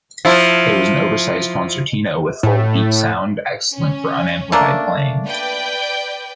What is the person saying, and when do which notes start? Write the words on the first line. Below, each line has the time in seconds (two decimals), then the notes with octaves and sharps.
It was an oversized concertina, with a full deep sound, excellent for un-amplified playing.
0.25 F3 E4
2.43 A2
3.74 C#4
4.52 A3 A#3 D4
5.27 B4 D5 G5